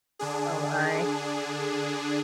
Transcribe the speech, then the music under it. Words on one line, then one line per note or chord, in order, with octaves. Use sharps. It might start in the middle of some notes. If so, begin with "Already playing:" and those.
Oh my.
D3 D4 G#4